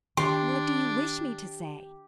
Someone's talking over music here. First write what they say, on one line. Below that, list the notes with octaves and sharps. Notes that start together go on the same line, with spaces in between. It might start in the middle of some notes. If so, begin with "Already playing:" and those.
"What do you wish me to say?"
D#3 D4 G4 C6